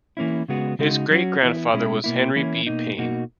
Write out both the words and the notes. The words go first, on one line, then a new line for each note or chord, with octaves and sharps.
His great-grandfather was Henry B. Payne.
E3 A#3 C#4 E4
C#3 G#3 B3 F#4
C#3 G#3 D#4 F#4
F#3 C#4 F#4
E3 B3 E4
B2 G#3 C#4 E4
B2 A#3 E4
E3 A#3 C#4 E4
B2 A#3 D#4
B2 A#3 D#4 F#4